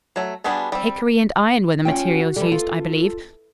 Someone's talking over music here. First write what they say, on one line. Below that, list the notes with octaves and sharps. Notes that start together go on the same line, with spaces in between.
Hickory and iron were the materials used, I believe.
F#3 A3
G3 B3 D4 F#4 G#4
G3 C4
C#4 F4 G5
F#4
E3 G3 A4
F4